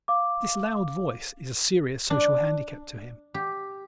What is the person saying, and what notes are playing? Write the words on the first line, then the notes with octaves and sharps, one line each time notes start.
This loud voice is a serious social handicap to him.
F5 D6
D4
G4